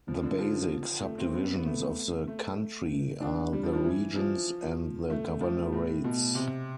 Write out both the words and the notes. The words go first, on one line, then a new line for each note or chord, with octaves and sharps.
The basic subdivisions of the country are the regions and the governorates.
F3
D3
F3
A3
C4
B3
B3
A3
A3
D4
G3
F3
F3
E3
F3
A3
F3
A2
B2
C3